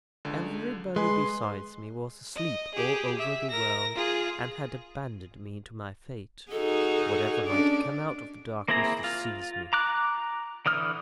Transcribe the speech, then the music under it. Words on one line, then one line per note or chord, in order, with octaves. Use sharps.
Everybody besides me was asleep all over the world, and had abandoned me to my fate, whatever might come out of the darkness to seize me.
C#2 D3
G#3 B4 G#5 C6
D#5
G4 G#4
E5
A#4 A#6
F4 G#4
D#4 F#4 G#4 A4
C#4 D4 D5
A#3 C4 E4 G#4 A#5
F4
A#5 D6 F#6
D3 E3 D#6 F6